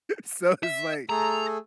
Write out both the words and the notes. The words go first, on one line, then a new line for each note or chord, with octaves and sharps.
so it's like,
E5
A3 G#4 A4 A#5